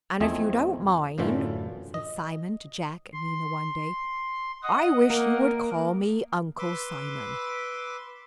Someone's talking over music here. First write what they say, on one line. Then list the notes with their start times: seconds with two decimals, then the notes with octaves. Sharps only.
"And if you don't mind," said Simon to Jack and Nina one day, "I wish you would call me Uncle Simon."
0.20 E2 F3 A3 C4 D#5 G#5
1.18 F#2 A2 D3 E3 F4
1.94 D#5
3.13 C6
4.63 D#5 F#5 D#6
5.10 A#3 A#4
6.59 B4 C6 D6 E6